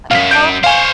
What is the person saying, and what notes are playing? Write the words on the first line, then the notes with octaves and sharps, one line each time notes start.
Uh, oh uh,
B1 F#2 F5 B6
G6 D7
C5 C#5 F5 G#5